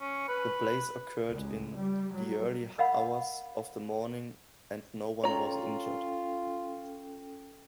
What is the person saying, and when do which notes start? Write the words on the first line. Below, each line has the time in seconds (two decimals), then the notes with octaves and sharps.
The blaze occurred in the early hours of the morning and no-one was injured.
0.01 C#4
0.28 B4
1.31 C#2
1.75 G3
2.13 F#3
2.78 A#4 D#5 F5 F#5 B5
5.24 C#4 F4 A4 C#5 G5 A#5